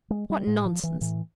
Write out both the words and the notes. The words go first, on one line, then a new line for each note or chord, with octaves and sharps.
What nonsense!
G#3
G3
A2
F3
E3
A2 E3